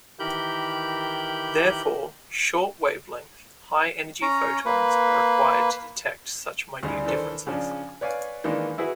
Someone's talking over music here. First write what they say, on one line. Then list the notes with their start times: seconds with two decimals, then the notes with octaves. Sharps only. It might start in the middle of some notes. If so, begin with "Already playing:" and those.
Therefore, short wavelength high energy photons are required to detect such minute differences.
0.19 D#3 E3 G4 A#4 B5 G6
4.22 C#4 C#5 A#5
4.65 A#3 B4
6.83 D2 C#3 G3 D#4
7.05 D#3 E3 D4 A4 C5
7.47 C#3 F3 C#4 D4
8.01 B4 C#5 D5 F5 G#5
8.44 D#3 E3 G#3 A#3 D4 D#4
8.78 E4 F#4 G#4 B4